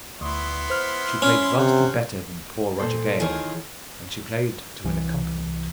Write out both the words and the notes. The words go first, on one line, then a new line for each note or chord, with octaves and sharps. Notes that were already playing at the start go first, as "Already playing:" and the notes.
She played vastly better than poor Roger Gale, and she played to an accompaniment.
D2 B3 E4 C6
C5 F6
C#4
C3 C5 F#5
A#2 A4 C5
D#3 E4 F4 G#4 C#5
C2 E3